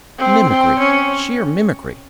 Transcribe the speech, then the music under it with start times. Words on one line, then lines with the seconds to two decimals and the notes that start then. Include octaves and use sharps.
Mimicry, sheer mimicry!
0.19 C4
0.49 C4
0.79 C#4